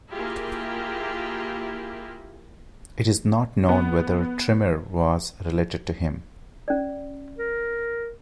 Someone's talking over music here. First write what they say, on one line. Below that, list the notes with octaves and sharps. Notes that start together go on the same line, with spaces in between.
It is not known whether Trpimir was related to him.
A#3 E4 F4 G4 G#4
B3
C#4 D5
A#4